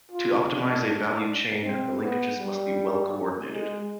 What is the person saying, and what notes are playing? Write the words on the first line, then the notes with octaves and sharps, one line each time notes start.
To optimize a value chain, the linkages must be well coordinated.
F4
D4
C4
B3
G3
G#3